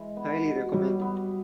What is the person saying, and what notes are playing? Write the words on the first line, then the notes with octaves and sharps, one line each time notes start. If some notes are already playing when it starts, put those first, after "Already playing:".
Highly recommended.
Already playing: E3 G#3
B3
B2
F#3 G3
B3